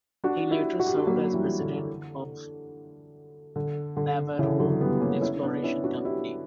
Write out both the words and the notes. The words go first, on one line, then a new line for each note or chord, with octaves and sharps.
He later served as President of Navarro Exploration Company.
D4 F#4
E4 G4
F#4
G4
D4 F#4
F#3 A#3
E3 G3
D3
D3
D3
C#3 E3
D3 F#3
G3 B3
A#3 C#4
C#4 E4
B3 D4
C#4 E4
D4 F#4
E4 G4